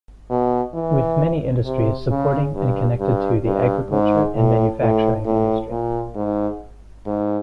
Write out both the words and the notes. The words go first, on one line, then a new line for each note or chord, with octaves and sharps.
With many industries supporting and connected to the agriculture and manufacturing industry.
B2
E3
C3
C#3
G2
G2
G2
G#2
A2
A2
A2
A#2
G#2
G#2